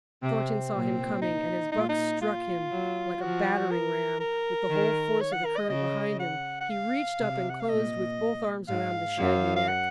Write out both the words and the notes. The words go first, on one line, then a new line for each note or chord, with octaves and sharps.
Thornton saw him coming, and, as Buck struck him like a battering ram, with the whole force of the current behind him, he reached up and closed with both arms around the shaggy neck.
C3 C4
A#2
D#4
A#2 D#4
F4
D#4
F4
F#3
F3 F#4
A#4
A#4
D#3
C#5
F#5
A#4
D#5
C#3 D#5
F#5
F#5
F5
C3
F#5
F5
A#2 D#5
G#2 F5
F#2
F5
F#5